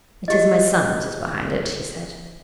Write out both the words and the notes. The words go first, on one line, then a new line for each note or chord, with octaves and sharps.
"It is my son that is behind it," he said.
F#4 G4 D#5